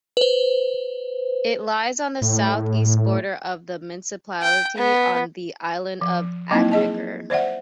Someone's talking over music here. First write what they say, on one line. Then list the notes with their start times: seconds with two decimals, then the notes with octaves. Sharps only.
It lies on the southeast border of the municipality on the island of Amager.
0.17 B4 C5
2.21 A2
4.42 G5
4.78 B3
6.01 F3
6.51 F#3 A#3 C4 D#4 E4
6.72 G#4 D#5 A5
7.30 C5 D5 E5 F#5